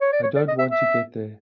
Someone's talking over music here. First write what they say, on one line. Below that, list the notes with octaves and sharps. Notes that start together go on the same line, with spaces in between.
I don’t want to get there.
C#5
D5
C#5
D5
D#5
E5
E5